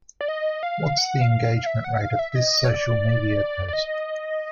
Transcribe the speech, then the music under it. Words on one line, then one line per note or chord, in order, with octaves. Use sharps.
What is the engagement rate of this social media post?
D5
D#5
F5
F#5
F5
F5
E5
F#5
F#5
F5
E5
E5
D#5
C#5
D5
D5
D#5